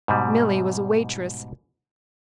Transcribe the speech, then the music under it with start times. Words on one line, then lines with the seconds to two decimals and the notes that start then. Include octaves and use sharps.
Milly was a waitress.
0.08 G#2 B2 G3